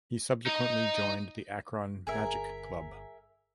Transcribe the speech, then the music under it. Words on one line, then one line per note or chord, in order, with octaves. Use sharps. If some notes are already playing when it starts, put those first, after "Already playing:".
He subsequently joined the Akron Magic Club.
D#4 D#5
G1 G#4 A#4 E5